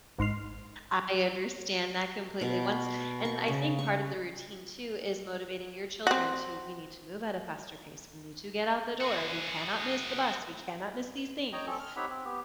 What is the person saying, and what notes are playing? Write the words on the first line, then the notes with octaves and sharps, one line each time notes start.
I understand that completely, once and I think part of the routine too is motivating your children to, "We need to move at a faster pace, we need to get out the door, we cannot miss the bus, we cannot miss these things,"
G#1 G#2 C6 F6
B2
C#6
C#3
C#6
C4 F#4
F#4 G#4
C#5 D#5 G5 A#5
C4 C#4 A4
F6
C4 D#4 G4 C#5 F#5 B5
C4
B3 G4